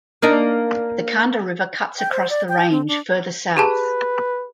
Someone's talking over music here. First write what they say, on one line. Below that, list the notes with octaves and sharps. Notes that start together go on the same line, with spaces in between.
The Khanda river cuts across the range further south.
A#3 D4 D#4
G5
C5
D5
G5
C4
D4
G4 G#4 B4 A5